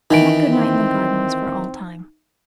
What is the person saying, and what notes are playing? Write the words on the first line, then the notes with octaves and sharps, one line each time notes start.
That good night in the garden was for all time.
D#3 E3 D#4 D7
C4